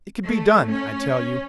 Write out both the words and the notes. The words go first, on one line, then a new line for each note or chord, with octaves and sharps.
It could be done, I tell you.
A3
C#4